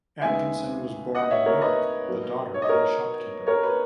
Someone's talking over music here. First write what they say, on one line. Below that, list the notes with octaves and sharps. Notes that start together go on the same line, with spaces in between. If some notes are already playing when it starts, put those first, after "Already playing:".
Atkinson was born in York, the daughter of a shopkeeper.
D#2 C#3 G#3 B3 E5 G#5
D#5 F#5
C#5 E5
A#4 C#5
B4 D#5
B2 F#3 A#3
C#5
D#5
A#4 C#5
A#4 C#5
B4